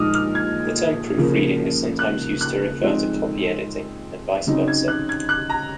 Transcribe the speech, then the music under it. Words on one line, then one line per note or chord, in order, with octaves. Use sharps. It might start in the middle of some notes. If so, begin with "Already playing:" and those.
The term "proofreading" is sometimes used to refer to copy-editing, and vice versa.
Already playing: A#2 F3 G#3 D#4 D#6 F6
F6
G#6
C#3 F3 A#3
F#6
F#6
F3 G#3 C4 D#4
C#3 F#3 C4 D#4
G#6
F#6
G#6
F#6
A#5